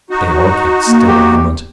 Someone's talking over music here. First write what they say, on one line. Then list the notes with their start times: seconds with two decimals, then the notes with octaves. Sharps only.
They all kept still a moment.
0.10 D#4 F#4
0.87 A#3
1.08 G4